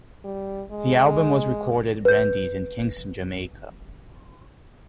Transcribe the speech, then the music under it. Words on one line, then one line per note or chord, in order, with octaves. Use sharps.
The album was recorded at Randy's in Kingston, Jamaica.
G3
G#3
B4 G6